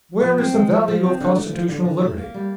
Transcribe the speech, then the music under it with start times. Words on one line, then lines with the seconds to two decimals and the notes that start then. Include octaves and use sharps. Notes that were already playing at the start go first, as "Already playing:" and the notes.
Where is the value of constitutional liberty?
0.22 F3
0.38 C4
0.54 G#3
0.71 F3
0.88 F3
1.04 C4
1.20 D3
1.37 A3
1.53 F3
1.68 D3
1.85 D3
2.01 A3
2.18 A#3
2.34 G3